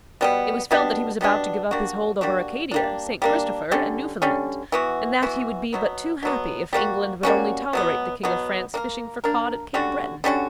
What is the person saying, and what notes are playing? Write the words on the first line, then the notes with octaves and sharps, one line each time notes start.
It was felt that he was about to give up his hold over Acadia, St. Christopher, and Newfoundland, and that he would be but too happy if England would only tolerate the King of France fishing for cod at Cape Breton.
B2 G3 B3
B2 G3 B3 D4
B2 G3 B3 D4
G3 A#3 D4 F#4
G3 A#3 D4 F#4
G3 A#3 D4
G3 A#3 D4
D3 G3 C#4
D3 G3 C#4
E3 B3 F#4
E3 B3 F#4
B2 F#3 B3
B2 F#3 B3
G3 A#3 C#4 F#4
G3 A#3 C#4 F#4
B2 F#3 B3
B2 F#3 B3
A#3 D4 A#4
A#3 D4 A#4
D3 G3 C#4 F#4
D3 G3 C#4 F#4